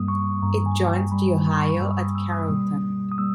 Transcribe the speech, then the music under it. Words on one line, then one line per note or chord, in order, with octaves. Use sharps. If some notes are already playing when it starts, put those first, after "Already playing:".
It joins the Ohio at Carrollton.
Already playing: G2 G3 A#3 D#6
C#6
G2 G3 A#3 A#5
G#5
G5
G2 G3 A#3 B5
C#6
B5
C#6
G2 G3 A#3 E6
D#6
E6
D#6
B2 G3 A#3
D#6
G3 A#3 E6